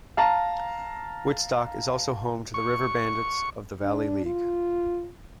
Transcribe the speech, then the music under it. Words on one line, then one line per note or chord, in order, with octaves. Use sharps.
Woodstock is also home to the River Bandits of the Valley League.
F5 A5 A#5
C#6
D4
F4